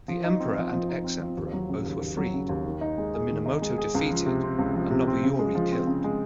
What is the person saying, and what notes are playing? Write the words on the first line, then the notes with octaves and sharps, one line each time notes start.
The emperor and ex-emperor both were freed, the Minamoto defeated, and Nobuyori killed.
F3
D#4
C4
F3
F3
D#4
C4
F3
D#2
F#3
C#3
D#2
D#2
F#3
C#3
D#2
D#3
D#4
G#3
G#4
D#3
D#4
G#3
G#4
C#2
F3
C3
C4
C#2
F3
C3
C4
C#3
G#3
F3
C4
C#3
G#3